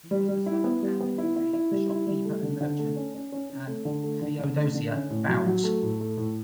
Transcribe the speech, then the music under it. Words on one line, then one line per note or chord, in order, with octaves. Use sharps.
He was the son of Andrew Reed, a shopkeeper and merchant, and Theodosia Bowes.
G3
G3
E4
B3
G3
B3
E4
E4
E4
G3
E4
G3
A3
D3
D3
A3
C#4
C#4
C#4
C#4
A3
D3
A3
D3
D3
A3
D3
C#4
A2
F#3
F#3
A3
A2
A3
A2